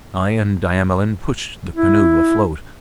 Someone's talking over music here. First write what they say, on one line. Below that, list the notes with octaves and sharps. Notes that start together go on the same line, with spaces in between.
I and Diamelen pushed the canoe afloat.
E4